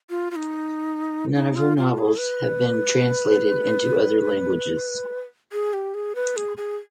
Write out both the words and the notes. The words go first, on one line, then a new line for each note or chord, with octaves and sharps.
None of her novels have been translated into other languages.
F4
F4
D#4
D#4
F4
F4
G#4
B4
G#4
G4
G#4
B4
G#4
G#4